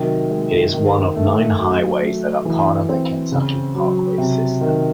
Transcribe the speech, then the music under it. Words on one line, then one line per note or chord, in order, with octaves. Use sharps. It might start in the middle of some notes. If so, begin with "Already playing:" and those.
It is one of nine highways that are part of the Kentucky parkway system.
Already playing: C3 D#3 F#3
G#3
D#3
A3
F#3
A3
E3
C4
C#3
F#3
C3
D#3